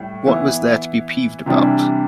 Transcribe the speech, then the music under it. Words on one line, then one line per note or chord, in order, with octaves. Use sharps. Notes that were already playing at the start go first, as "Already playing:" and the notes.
What was there to be peeved about?
Already playing: A2 G3
E3 B3 E4
C3 E3 G3 D4